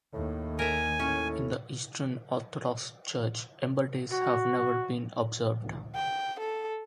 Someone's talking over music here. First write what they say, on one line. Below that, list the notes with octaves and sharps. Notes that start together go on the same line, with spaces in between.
In the Eastern Orthodox Church ember days have never been observed.
D#2 A2
A#4 E5 G#5
A2 C#4
F#4
G5
A4